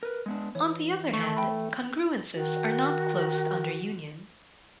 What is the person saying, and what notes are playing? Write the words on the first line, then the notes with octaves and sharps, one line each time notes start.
On the other hand, congruences are not closed under union.
A#4 B4
G#3 B3 D4
E3 C#5
A3 C#6
G5 B5
D#3 F#4